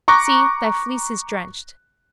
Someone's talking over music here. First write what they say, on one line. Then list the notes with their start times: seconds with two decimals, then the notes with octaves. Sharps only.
See, thy fleece is drenched.
0.08 A#5 C#6 D6 F#6 A#6